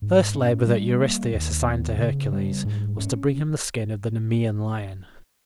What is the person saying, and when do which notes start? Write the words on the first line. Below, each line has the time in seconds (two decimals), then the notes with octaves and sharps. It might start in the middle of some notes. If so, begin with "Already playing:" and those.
The first labor that Eurystheus assigned to Hercules was to bring him the skin of the Nemean lion.
0.02 G#2
0.35 C#4
0.67 G3
1.00 A#3
1.33 D#2
1.66 B3
1.99 C#3
2.32 G3
2.65 G#2
2.98 C#4